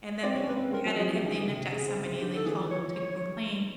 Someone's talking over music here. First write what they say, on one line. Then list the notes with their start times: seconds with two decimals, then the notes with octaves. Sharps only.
and then they get beheaded if they nipped at somebody and they call to complain
0.23 C4 D5
0.35 C#5
0.40 C#4
0.48 B4
0.57 C4
0.73 C4 A#4
0.85 F#3
0.98 F3 G#4
1.10 E3
1.14 G4
1.22 D3 G#4
1.47 C3
1.72 C#3 G#4
1.88 C5
1.96 C#3
2.05 C5
2.21 D3 G4
2.34 D#3 A4
2.45 E3 G#4
2.58 F3
2.70 F3 C#5
2.95 C#5